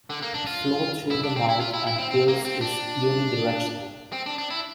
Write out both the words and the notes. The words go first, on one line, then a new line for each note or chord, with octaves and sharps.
Flow through the mouth and gills is unidirectional.
D3
A#3
D4
F4
E4
D4
C4
E4
F4
E4
E4
C4
C4
A#3
C4
D4
C4
D4
D4
E4